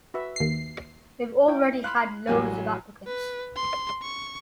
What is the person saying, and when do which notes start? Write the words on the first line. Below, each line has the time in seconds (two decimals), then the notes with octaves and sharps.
They've already had loads of applicants.
0.14 F#4 B4 E5
0.36 D#2 C7
1.48 E4 C#5 G5
1.84 F5 B5 C6 F#6
2.27 A1 F#3 G3 G4 F5 G#5
3.07 B4
3.56 C6
4.02 C#6